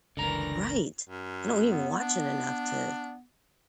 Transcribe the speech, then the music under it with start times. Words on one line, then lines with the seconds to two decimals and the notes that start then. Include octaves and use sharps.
Right. I don't even watch it enough to
0.17 F#1 C#2 D3 E3 A#4 A#5 A#6
1.09 F#2
1.71 B3
2.01 D4